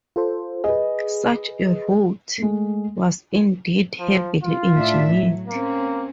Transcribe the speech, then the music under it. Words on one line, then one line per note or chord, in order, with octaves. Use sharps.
Such a route was indeed heavily engineered.
F4 A4 C5
G#4 B4 D#5
G#3 A3
F3
F4
A2 D4 E5
F#3
A#3 C4 C#4